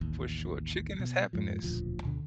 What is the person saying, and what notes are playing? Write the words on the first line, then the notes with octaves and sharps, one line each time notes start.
for sure, chicken is happiness.
A1 D#2
B2
F2 G#2 F3
E1 D2 A#2 F3
D2 B2 D3